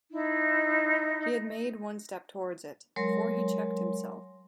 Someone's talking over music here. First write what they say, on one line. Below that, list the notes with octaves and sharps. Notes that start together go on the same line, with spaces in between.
He had made one step towards it, before he checked himself.
D#4 E4
F#3 G#3 A#4 C#5 C6